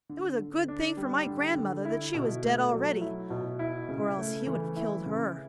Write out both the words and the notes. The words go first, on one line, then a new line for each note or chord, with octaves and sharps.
It was a good thing for my grandmother that she was dead already, or else he would have killed her!'
D3
D3
D4
G3
D3
D3
E4
B2
A3
F#3
E4
B2
E4
C#3
A3
E3
E4
C#3